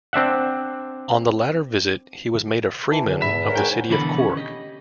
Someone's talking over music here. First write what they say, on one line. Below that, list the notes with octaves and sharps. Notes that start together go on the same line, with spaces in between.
On the latter visit, he was made a Freeman of the City of Cork.
C4 D4 E5 F#5
E3 A5
E2 D3
G#2 B2 E5 B5
A#4 C#5 F#5
G#2 G5 G#5
B1 D3 E3 B3 A4 B5
C#4
G4 D#5